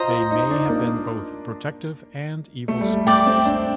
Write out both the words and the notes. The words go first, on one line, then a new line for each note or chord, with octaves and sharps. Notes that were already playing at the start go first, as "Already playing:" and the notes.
They may have been both protective and evil spirits.
Already playing: F4 C5 D#5 A#5
F4
D#4
D4
A#3
A3
G3
A3 D5 G5 D6
C4
D4